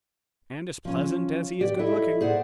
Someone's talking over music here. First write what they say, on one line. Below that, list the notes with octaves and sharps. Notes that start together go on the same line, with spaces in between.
And as pleasant as he is good-looking.
F3 C#4
G4 D5 G5
E4 A4 D#5
G#4 C5 D5 F#5